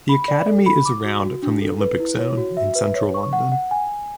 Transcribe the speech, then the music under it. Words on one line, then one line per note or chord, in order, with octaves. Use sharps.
The academy is around from the Olympic Zone in central London.
B5
D5
A4
B5
D6
F#4
F#4
D4
A4
B4
E4
C#5
F#4
E5
B4
C#5
C#6
F#5
F#5
G#5